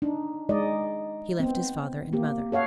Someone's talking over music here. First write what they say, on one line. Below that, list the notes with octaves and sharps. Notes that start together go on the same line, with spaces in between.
He left his father and mother.
D4 D#4
G#3 D#4 D5 D#5
B3 C4
A#3 G4
A4 C#5 F5 F#5